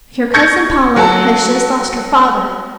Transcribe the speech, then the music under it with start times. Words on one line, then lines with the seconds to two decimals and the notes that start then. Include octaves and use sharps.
Your cousin Paula has just lost her father.
0.34 C#6 G6 G#6 A#6 C#7
0.96 F#3 F#4 A4